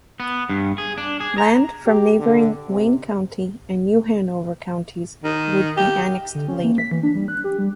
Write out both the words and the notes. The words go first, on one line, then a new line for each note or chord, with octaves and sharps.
Land from neighboring Wayne County and New Hanover counties would be annexed later.
B3
G2
G#4
D4
G#4
A#5
G4
D3
C3
D#3
G4
D3
C#4
A#3
B6
E3
D4
G3
F#6
G4
G3